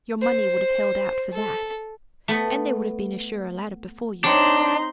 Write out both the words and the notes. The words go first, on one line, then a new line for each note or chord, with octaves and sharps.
Your money would have held out for that, and there would have been a surer ladder before you.
C5
A4
A3 B3
C4 D4 D#4 C#5 D5 C6